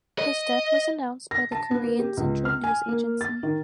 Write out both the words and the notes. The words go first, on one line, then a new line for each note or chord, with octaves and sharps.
His death was announced by the Korean Central News Agency.
D#5
A#6
A5
B3
A#3
G4
C#2
F6
G#5
A#3
A6
D#3